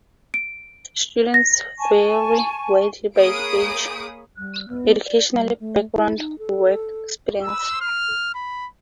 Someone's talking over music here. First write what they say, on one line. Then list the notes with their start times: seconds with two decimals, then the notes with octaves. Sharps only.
Students vary widely by age, educational background, work experience.
0.34 D7
1.34 A#6
1.78 G#5 A5 C#6
3.16 A#3 G#4 C#5 B5 D#6 D7
4.38 G3
4.68 B3
5.06 D5
5.32 G3
5.60 A3
5.96 E4
6.17 D#4
6.39 A4
7.43 E6
7.81 F6
8.35 B5